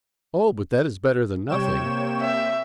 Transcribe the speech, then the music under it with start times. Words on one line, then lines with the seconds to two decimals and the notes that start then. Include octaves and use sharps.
Oh! but that is better than nothing....
1.49 C3 G3 C#5 G5 C#6 E7
1.81 A#3
2.21 E5